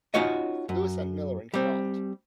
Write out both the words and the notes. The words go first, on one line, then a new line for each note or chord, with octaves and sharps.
Louis N. Miller in command.
C#4 D#4 F4 F#4 C#5 D#5
F#2
G3 C4